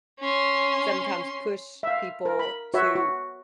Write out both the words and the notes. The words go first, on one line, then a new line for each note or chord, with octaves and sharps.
sometimes push people to,
C#4 C6
E5 F5
A#4
B5
F#4 B4 C#5 E5
F#4